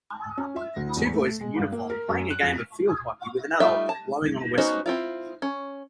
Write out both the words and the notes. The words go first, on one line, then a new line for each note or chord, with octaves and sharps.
Two boys in uniform playing a game of field hockey with an adult blowing on a whistle.
C#4
E5
D2
E2
A3
G#3
G2
A#3
A#4
F#2
F#6
F2
G3 A3 D#4 F4 E5
A5
B3 C#4 D#4 F#4 C5
C4 E4 F4
C#4